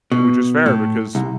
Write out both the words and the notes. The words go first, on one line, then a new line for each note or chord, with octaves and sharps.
Which is fair, because
B2
A2
C2